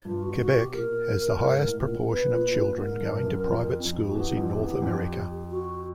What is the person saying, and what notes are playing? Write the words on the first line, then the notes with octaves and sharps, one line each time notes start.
Quebec has the highest proportion of children going to private schools in North America.
G2 F4
F#4
G#2
F#4
B2
G4
A#2 A#4
G#2
A2
B2
A#2
B2 B4
A#2
A#2
G#2 A#4
G2
F#2
F2
F2
F#4
E2 G4
F2
E2
F2
F#4